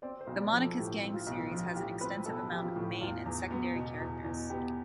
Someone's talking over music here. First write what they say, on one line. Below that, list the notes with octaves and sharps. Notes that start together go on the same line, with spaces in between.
The "Monica's Gang" series has an extensive amount of main and secondary characters.
C4 D5
C5
B1
D5
F3
A4
A2 G4
C4
F4
B1
F3 F4
F4
A2 G4
C4 B4
B1 A4
F3 G4
F4
A2
E2 F4
E2
B3
B2
E2
E2
B3 G4